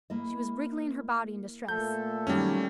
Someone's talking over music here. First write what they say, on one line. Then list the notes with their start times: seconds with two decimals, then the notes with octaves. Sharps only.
She was wriggling her body in distress.
0.10 A#3 E4 D#5
1.68 A#2 A3 A4 G6
2.27 D#3 F#3 G3 C#4 D#4